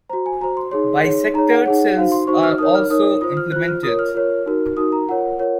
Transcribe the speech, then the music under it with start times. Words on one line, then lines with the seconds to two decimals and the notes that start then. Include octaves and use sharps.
Bisectored cells are also implemented.
0.09 F#4 C5 A#5
0.26 G#5
0.41 F#4 C5 A#5
0.57 C6
0.71 D#4 G#4 C#5 C6
1.04 D#4 G#4 C#5
1.34 D#4 G#4 C#5 A#5
1.50 F#5
1.66 D#4 G#4 C#5 F#5
1.97 D#4 F#4 C5 F5
2.12 C6
2.27 D#4 F#4 C5 C#6
2.43 F6
2.58 D#4 A#4 C#5 D#6
2.75 F6
2.90 D#4 A#4 C#5 D#6
3.21 F4 C5 D#6
3.37 F6
3.52 F4 C5 F#6
3.68 F6
3.83 F4 A#4 C#5 D#6
3.99 F6
4.14 F4 A#4 C#5
4.46 D#4 F#4 A#4
4.77 D#4 F#4 A#4 D#6
4.92 A#5
5.09 F4 A#4 C#5 F#5
5.39 F4 A#4 C#5